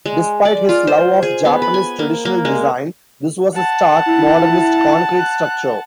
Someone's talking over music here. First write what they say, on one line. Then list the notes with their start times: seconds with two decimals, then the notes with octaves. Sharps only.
Despite his love of Japanese traditional design, this was a stark, modernist concrete structure.
0.06 G#3
0.45 D5
0.69 F4
0.87 C5
1.23 G#4
1.45 B3
1.62 B4
1.74 G#5
1.99 A#3
2.25 A#3
2.45 G#3
3.55 F#5 A5
4.06 E4
5.18 F#6